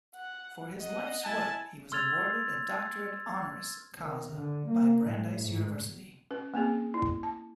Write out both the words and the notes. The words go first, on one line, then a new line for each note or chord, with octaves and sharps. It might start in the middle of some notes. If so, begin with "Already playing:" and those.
For his life's work he was awarded a Doctorate Honoris Causa by Brandeis University.
F#5
D#5 F#5
E4 G#5 A5
C6 E6 F6 G#6 A6 F7
D#3
D3
A#3
A2
G#2
C#4 B4
A#3 C4 C#4 G#4
E4
A5